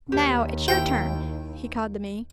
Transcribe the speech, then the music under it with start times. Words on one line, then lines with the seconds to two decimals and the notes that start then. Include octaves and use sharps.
"Now, it's your turn," he called to me.
0.12 D#2 G4
0.68 E4 G4 C5 G5